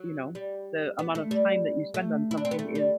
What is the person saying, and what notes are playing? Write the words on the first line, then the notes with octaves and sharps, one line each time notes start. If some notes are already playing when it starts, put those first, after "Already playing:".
you know, the amount of time that you spend on something is
Already playing: F#3
G3
B3
A3
G3
A3
E4
D4
C4
B3
A3
G3